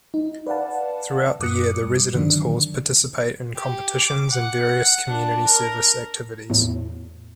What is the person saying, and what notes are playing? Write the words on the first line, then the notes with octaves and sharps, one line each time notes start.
Throughout the year the residence halls participate in competitions and various community service activities.
D#4
B4 D5 F5 F#5 A5
F#2 D6 D#6 F#6 C#7
G2
D3 D#3 F#3 D4
G4
D6
F#5
D4
A#4
E2 A2